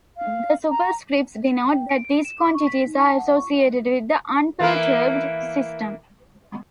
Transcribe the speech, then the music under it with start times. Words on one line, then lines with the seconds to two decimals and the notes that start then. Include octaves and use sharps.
The superscripts denote that these quantities are associated with the unperturbed system.
0.17 F5
0.70 A#5
1.72 G5
1.89 D7
2.05 D7
2.25 E7
2.38 D6
2.54 C#6
2.67 B6
2.86 D#4
2.99 A5
3.18 F#5
3.36 C#6
4.60 E3 A#3 A#4